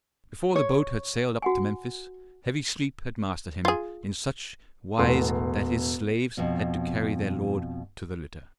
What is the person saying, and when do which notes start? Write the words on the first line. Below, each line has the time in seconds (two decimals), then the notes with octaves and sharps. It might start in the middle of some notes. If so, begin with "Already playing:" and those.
Before the boat had sailed up to Memphis, heavy sleep had mastered him in such wise that his slaves had to carry their lord to the litter.
0.56 C#5
1.42 F#4 F#5 G#5
3.65 F4 G#4
4.98 E1 A2 B3 C6
6.37 F2 B2